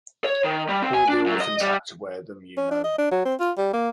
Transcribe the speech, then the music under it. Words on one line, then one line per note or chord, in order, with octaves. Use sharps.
All the orphans had to wear them, you know.
C#5
D#3
G3
C4
G#5
D4
F#2
D#5
G3
C#4
D4
D#5
D4
F#3
C4
F4
G3
A#3